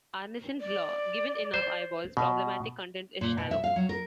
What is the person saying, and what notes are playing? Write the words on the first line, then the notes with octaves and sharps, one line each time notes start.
Arnison's Law: "Given enough eyeballs, problematic content is shallow".
D5
C5
B2
A#2
B2
E5
F5
F#3
A#4